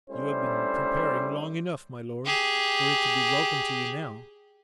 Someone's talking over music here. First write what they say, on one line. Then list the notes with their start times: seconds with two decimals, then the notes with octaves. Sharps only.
"You have been preparing long enough, my lord, for it to be welcome to you now."
0.10 G3 A3 C#4 D4 E4 C5
2.25 G4 G#4